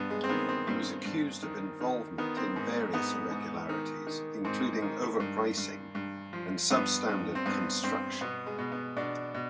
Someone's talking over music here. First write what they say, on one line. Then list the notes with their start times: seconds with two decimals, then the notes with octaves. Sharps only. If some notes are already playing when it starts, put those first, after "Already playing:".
He was accused of involvement in various irregularities, including overpricing and substandard construction.
Already playing: G2 B3
0.10 G#3
0.24 C4
0.29 D#3 B3
0.49 C4
0.67 G2 C4
1.05 G2
1.43 D#3
1.80 D#3
2.18 D#3 B3
2.37 C4
2.56 G#2
2.94 G#2 B3
3.31 G#2
3.69 D#3
4.07 D#3
4.45 G#2 C4
4.82 D#3
5.20 G2
5.57 G2
5.95 G2
6.33 F3
6.70 G2 B3
7.09 G2
7.35 C4
7.46 G2 B3
7.84 G2 C4
8.21 B2 B3
8.46 G#3
8.58 B2
8.72 B3
8.97 B2 D4
9.34 B2